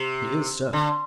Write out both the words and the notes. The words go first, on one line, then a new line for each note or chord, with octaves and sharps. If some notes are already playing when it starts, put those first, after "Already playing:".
"He is so."
Already playing: C3
D3